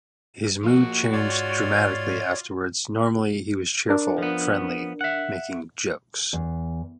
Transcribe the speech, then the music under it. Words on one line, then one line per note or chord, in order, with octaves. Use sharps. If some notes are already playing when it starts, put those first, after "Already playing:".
His mood changed dramatically afterwards - normally he was cheerful, friendly, making jokes.
F3 A#3 F#4
G#2 F4 C#5 D5
D4 A#4
F3 B3
E5 F#5
E2